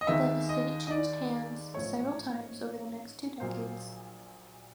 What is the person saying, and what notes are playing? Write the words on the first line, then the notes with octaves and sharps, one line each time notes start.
The estate changed hands several times over the next two decades.
D#5
D#2 D#3 G#3 B3 E5
D#5
D#5
D5
A1 G#2 F3 A3 C#5
A#1 A#2 F#3 A#3 C5